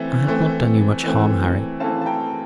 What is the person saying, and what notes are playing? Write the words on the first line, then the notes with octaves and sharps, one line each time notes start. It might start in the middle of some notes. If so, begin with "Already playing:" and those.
I had not done you much harm, Harry.
Already playing: E3 A3 C4 E5
E3 A3 C4
E3 A3 C4
E3 A3 C4 F5 A5
A5
G5 A#5